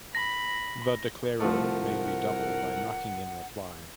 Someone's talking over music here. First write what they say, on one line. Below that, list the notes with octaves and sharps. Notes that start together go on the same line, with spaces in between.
The declarer may redouble by knocking in reply.
B5 A#6
C2 F3 A3 A#4 F#5